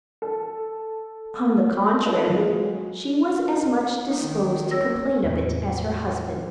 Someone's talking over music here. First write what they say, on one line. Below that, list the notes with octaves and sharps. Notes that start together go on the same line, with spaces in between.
On the contrary, she was as much disposed to complain of it as her husband.
A4
F4 A4 B4 D#5 F5
F#3 G#3
D#4
D#3
C#5 E6 A#6
D1 E2 A2 C3